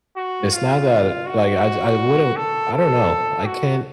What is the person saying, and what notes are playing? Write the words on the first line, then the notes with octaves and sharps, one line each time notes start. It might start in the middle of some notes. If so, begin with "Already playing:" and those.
it's not that, like, I j I wouldn't I don't know. I can't
F#4
F4
F#4
A4
A4
F#4